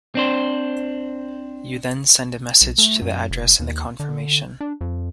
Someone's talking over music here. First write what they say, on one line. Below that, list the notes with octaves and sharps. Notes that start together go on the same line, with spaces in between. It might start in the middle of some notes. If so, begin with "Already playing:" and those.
You then send a message to the address in the confirmation.
C4 D4 C5
B1
A3
F#2
F1
D#2
D3
D4
F2